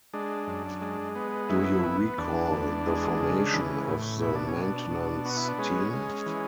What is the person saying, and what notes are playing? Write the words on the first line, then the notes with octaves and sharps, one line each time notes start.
Do you recall the formation of the maintenance team?
G#3 D4
F#2
G#3
B3
F#2 E4
B3
E2 D4
E2
G#3
C#3
E3
A2
B2 E4
D4
C#4
B2
D4
B2
B3 F#4
E4
D4
G#3 C#4
G#3
E3